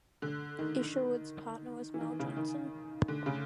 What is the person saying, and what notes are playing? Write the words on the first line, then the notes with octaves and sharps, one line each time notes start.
Isherwood's partner was Mel Johnson.
D3
D#3
E3
D#3
C#3
D#3
D3
C#3